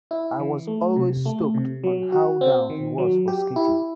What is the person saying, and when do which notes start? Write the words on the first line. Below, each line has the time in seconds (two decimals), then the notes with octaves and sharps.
I was always stoked on how down he was for skating.
0.11 E4
0.40 E3
0.67 A3
0.96 C3
1.26 A3
1.54 C3
1.84 F#3
2.12 F#4
2.41 C4
2.70 D#3
2.98 F#3
3.28 G4
3.56 E4